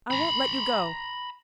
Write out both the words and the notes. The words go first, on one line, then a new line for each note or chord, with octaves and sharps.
I won't let you go!
A#5 B5